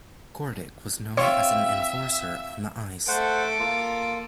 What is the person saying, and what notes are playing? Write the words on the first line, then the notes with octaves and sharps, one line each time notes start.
Kordic was known as an enforcer on the ice.
C4 F4 C#5 E5 C6 C#6
A3 A4 C5 F#5 D6
A#3 F4